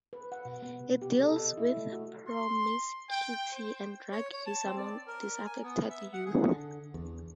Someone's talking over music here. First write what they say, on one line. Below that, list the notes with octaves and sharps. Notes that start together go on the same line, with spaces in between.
It deals with promiscuity and drug use among disaffected youth.
B4
F#5
B2
B3
C3
G4
A4
D#5
E4
A3
F#4
C6
G5
C5
C#5
C#5
A5
C4
D5
A#4
G#5
B3
E5
F#5
G#4
D3
E2